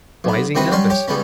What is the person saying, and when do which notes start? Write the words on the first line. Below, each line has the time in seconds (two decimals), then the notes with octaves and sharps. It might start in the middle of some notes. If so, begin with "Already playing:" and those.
Why is he nervous?
0.24 B1 B3
0.55 C3 D#3 C4 F#4 B4 D#6
0.71 F#3 G3 C#4 C6 C#6
0.90 G4 C#5
1.08 C#2 G3 B3 C#4